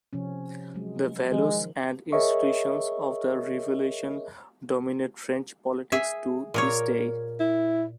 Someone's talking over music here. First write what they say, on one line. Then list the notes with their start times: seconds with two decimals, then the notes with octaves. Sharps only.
The values and institutions of the Revolution dominate French politics to this day.
0.13 C3 F3 C#4
0.74 F#3 G#3
1.32 D#3 F3 G#3
2.12 G#4 A#4 C#5 D#5 E5 C#6
5.92 G#4 E5
6.54 A#2 A#4 C#5
7.40 E4